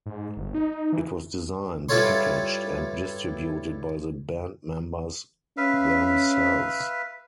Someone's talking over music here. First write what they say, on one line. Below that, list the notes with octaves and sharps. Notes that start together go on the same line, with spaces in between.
It was designed, packaged and distributed by the band members themselves.
G#2
G1
D#4
E3
G2 E4 F4 A4 C#5 C6
C#4 B4 E5 F5